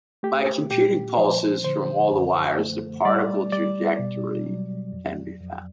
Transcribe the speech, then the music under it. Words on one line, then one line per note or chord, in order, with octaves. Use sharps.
By computing pulses from all the wires, the particle trajectory can be found.
A3 G4
A#2 G4
F3 C5
D3 C5
F#2
A3
G3 D5
G3 D5
B2
F#3
F2
F2